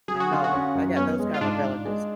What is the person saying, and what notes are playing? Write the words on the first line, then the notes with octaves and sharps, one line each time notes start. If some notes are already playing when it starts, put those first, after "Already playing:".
I know. I got those kind of relatives
F#3 G#4
F#4
D3 F4
F#4
C#4
F#2
B3 C#4
G#3
F4
G#2 D4
G#2
G#3